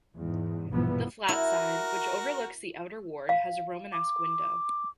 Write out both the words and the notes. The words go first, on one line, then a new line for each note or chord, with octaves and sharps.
The flat side, which overlooks the outer ward, has a Romanesque window.
E2 G#2
A#1 G2 B2 E3 F3 B3
E4 F#4 A#4
F5
D6